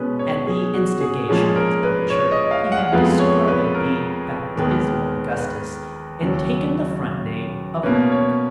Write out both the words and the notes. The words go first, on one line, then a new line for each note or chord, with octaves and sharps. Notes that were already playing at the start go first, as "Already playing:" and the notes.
At the instigation of his publisher he had discarded the baptismal Augustus and taken the front name of Mark.
Already playing: B2 G#3 C#4 B4
C#5
G#4
F#4
G#4
A#2 F3 G#3 C#4 G#4
A#4
B4
C#5
D#5
F5
F#5
F#5
F2 F3 G#3 B3 F5
C#5
B4
A#4
D#2 D#3 G#3 B3
B4
D#2 C#3 F#3
B2 A#3 C#4 B4
C#5